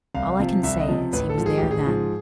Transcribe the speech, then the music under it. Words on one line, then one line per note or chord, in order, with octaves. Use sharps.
All I can say is, he was there then.
C2 F5
C3 F3
C2 E5
D#5
C3 F3
A1 B4
A4
G#2 F3
G#4
A1 G4
G#4
G#2 F3